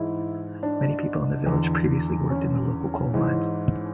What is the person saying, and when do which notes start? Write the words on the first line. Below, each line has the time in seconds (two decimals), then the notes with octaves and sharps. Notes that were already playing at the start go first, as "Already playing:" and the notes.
Many people in the village previously worked in the local coal mines.
Already playing: G#2 E3 E4
0.63 D4
1.46 E2 D3
2.30 C#4
3.14 G#2 E3